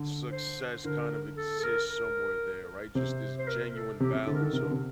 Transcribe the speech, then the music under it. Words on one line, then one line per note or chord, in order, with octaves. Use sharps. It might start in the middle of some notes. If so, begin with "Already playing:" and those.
Success kind of exists somewhere there, right, just this genuine balance of
Already playing: D3
C5
D3 A#4
A4
A4
A#4
A#4
C3 C5
C5
A#4
A4
C3 G4
C3
D3 A4
A#4
D#3 A4
C3 A#4
D3
C3